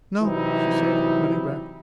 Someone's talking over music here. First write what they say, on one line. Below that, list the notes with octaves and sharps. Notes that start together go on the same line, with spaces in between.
"No," she said, running back.
C3 E3 F#3 G3 D#4 E4